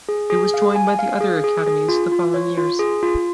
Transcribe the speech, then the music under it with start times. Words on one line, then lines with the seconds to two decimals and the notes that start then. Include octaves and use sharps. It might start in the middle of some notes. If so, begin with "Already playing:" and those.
It was joined by the other academies the following years.
0.09 G#4
0.30 G#4
0.54 F5
0.76 G#5
0.99 F5
1.21 G#4
1.44 G#4
1.66 G#4
1.88 F4
2.12 F4
2.34 C#5
2.57 F4
2.79 G#4
3.03 F4